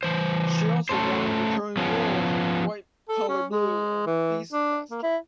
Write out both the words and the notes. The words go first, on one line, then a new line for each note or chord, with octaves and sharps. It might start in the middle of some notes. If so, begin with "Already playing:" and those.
She also won recurring roles in "White Collar Blue" and "BeastMaster".
E3 C5
A3 C#4 A4 C5
F3 B3 C#4
A4
C#4
G#3
E3
D4
A#3
E4